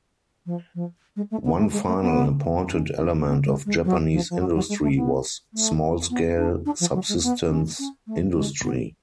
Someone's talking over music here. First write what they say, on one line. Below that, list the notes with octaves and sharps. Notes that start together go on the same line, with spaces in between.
One final important element of Japanese industry was small-scale, subsistence industry.
F3
F3
G#3
A3
B3
A3
G#3
A3
B3
C#4
C#4
B3
G#3
G#3
F#3
F3
F3
F#3
F#3
G#3
A3
B3
A3
B3
D4
D4
F3
F#3
G#3
B3
C#4
C#4
A3
G#3
B3